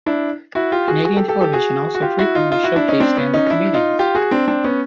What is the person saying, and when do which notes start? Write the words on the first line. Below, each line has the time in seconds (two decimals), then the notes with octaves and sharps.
Canadian television also frequently showcases stand-up comedians.
0.06 D4 E4
0.55 E4 F#4
0.72 F4 G4
0.88 F#4 G#4
1.04 F#4 G#4
1.17 G4 A4
1.28 G4 A4
1.41 G4 A4
1.53 F#4 G#4
1.95 F#4
2.02 F4 G4
2.19 E4 F#4
2.35 D#4 F4
2.51 D#4 F4
2.63 E4 F#4
2.76 D4 E4
2.88 C#4 D#4
3.00 C4 D4
3.17 B3 C#4
3.33 C#4 D#4
3.50 D4 E4
3.74 D#4 F4
3.99 F4 G4
4.15 F#4 G#4
4.31 C4 D4
4.48 C4 D4
4.64 B3 C#4